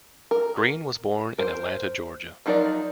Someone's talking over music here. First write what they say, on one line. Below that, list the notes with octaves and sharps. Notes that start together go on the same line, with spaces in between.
Green was born in Atlanta, Georgia.
A#4
A#4 C5
F3 F#3 D#4 A#4 D5